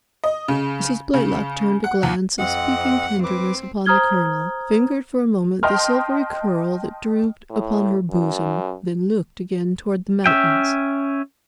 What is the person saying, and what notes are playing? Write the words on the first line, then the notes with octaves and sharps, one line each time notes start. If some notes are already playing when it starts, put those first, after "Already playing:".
Mrs. Blaylock turned a glance of speaking tenderness upon the Colonel, fingered for a moment the silvery curl that drooped upon her bosom, then looked again toward the mountains.
D#5
C#3
C#3
F#5
D#2
F2 C4 D#5 F#5
C4 B4 D6
C5 A#5 D#6 F6 G#6 G7
D#5 G5 A5 C6 D#6 F6
A2
F#2
C#4 E5 G5